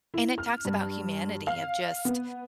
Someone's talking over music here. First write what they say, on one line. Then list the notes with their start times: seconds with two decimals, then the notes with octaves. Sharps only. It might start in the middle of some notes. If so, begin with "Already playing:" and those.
And it talks about humanity of just
0.14 E4
0.38 F6
0.65 G2
1.47 F5
2.05 B3